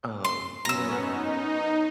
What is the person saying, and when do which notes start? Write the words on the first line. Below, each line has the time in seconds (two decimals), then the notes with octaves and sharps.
um, even though I'm not a
0.25 C6
0.65 F#2 B3 C#4 A#5 E6
0.97 D#4